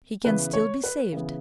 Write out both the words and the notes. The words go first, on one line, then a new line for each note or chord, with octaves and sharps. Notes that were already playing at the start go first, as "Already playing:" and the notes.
He can still be saved.
C#3 E3 B3 B4
C#5
B4
C#3 E3 B3